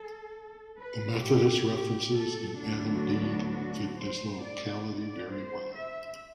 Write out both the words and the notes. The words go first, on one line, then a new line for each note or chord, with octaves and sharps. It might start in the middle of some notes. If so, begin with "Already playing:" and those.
The Methodist references in "Adam Bede" fit this locality very well.
Already playing: A4
B4
G4
G4
A4
D2 D3 F#3 B3 D4
F#4
F#4
F#4
C5
D5
D5
C5
E5